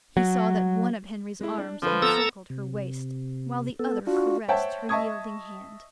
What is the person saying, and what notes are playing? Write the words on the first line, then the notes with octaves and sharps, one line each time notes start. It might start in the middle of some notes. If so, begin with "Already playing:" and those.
He saw that one of Henry's arms encircled her waist, while the other caressed her yielding hand.
F#3
G#3 E4
D4
D3 F3 B4
B3 A4 A#5 E6
C3
B3 A4
D4 F4 F#4
C5 C#5 E5 F#5 G5 A5
D#5 E5 A5 C#6 D#6 G#6